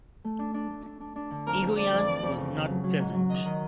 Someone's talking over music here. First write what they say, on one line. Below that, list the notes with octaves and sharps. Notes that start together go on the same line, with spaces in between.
Egoyan was not present.
A3
D4
D4
A3
D4
D4
D4
D3
F2 A#4
F2
F2 D5
F2
E3
F2
C#3
C#3
F#3
F#3
G#2
F#3
D#3 D#5
D#3